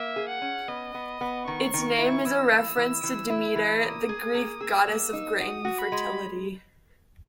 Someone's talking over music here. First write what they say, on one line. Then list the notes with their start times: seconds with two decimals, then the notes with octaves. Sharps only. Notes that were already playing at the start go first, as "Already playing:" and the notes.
Its name is a reference to Demeter, the Greek goddess of grain and fertility.
Already playing: A#3 E5
0.16 G#4
0.29 F#5
0.42 C#4
0.68 B3 D#5
0.94 B3
1.21 B3
1.47 D#3 C#6
1.74 D#3
1.99 E4
2.26 E3 E6
2.51 E3
2.77 E3
3.03 E3
3.30 E4
3.55 E3
3.82 A#3 D#6
4.09 G#4
4.35 A#3
4.60 G#4 E6
4.87 A#3
5.13 D#4
5.39 F#4 D#6
5.65 F#4
5.79 B5
5.92 G#3